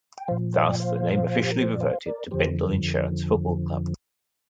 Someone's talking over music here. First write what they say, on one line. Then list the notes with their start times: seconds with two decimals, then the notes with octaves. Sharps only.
Thus the name officially reverted to Bendel Insurance Football Club.
0.18 G5
0.28 A#2 F3 C5 F5
0.54 C5 F5
0.66 D5 G5
0.79 C5 F5
1.42 G4
1.52 A#4
1.61 C5
1.71 D5
1.80 C5 F5
2.06 A#4 D5
2.31 F2 D3 F3 G4 C5